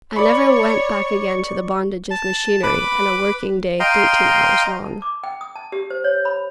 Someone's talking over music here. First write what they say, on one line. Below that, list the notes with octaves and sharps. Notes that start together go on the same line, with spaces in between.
I never went back again to the bondage of machinery and a working-day thirteen hours long.
C#5 D5 B5 C#6
A5
B4 B5 D6
D#5 F5 G5 A#5 C6
A5
D6
G5
D#6
A5
G4
C5
C#5
B5